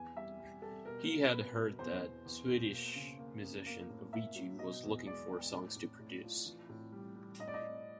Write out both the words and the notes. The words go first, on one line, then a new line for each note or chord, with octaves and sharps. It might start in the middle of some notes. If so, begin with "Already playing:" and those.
He had heard that Swedish musician Avicii was looking for songs to produce.
Already playing: E2 G#5
G3 E5
G3
G3 A4
B2 A#4
A#3
B2 B4
B2
E2 C5
E2
E2
B2
A#3
C#3
A#3
F#2
A#3
A2
A#3 E5
F#3
B2 D#5
E2
G#3 D5
E2
A2
A2
A2
F3
E3
A2
G3
G3
A2 D#5
D5
D#5
A2